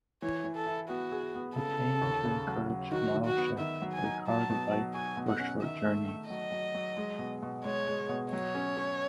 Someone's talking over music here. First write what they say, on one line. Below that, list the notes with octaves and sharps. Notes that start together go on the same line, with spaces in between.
It aimed to encourage modal shift from car to bike for short journeys.
E3 C#5
E3
A4
E4
B3 F#4
G#4
B3
C#3 A4
C#3
D#2
C#3
F#3
F#3
D#3 F#4
D#3
F#4
B3
D#3 E5
F#3
G#5
D#4
F#3 A5
B2
F#3
F#4 G#5
B2
F#5
C#4
D#3 E5
A3
A3
F#3 D#5
F#3
F#3
G#3
B2
B2
G#3 C#5
G#3
B2
F#3 C#5
C#4
C#4